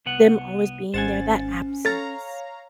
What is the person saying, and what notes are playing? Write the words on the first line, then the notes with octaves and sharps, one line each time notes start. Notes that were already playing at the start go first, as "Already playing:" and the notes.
them always being there, that absence
C2 B3 F#5
G#1 C#4 C5 F#5 G#5 A6
A4 C#5 F5 A#5 A6